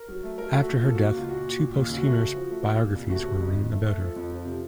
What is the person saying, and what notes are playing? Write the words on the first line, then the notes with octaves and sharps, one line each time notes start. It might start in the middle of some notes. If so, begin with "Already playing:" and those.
After her death, two posthumous biographies were written about her.
Already playing: A#4
F#3
A3
F#3 A#4
A4
A3
F#4
A#2 F4
A#3 A4
F#4
A#3
F#4
C#2 F4
A#2 F#4
A#2
A#2
D#2
C#3
F#4
A3
C#3
F3
A3
A#3
A#2
C2
A3 F#4
C3
F2
D#3
A3
A3
F3 A4
F2
F3
C3